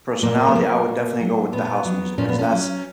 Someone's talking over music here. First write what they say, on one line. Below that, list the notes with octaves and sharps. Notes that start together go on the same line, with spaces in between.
personality, I would definitely go with the house music 'cause that's
A#2 A#3
B3
F#3 A#3
A#2
F#3
A#2 B3
F#3
A#2 C#4
B3
C#4
F#3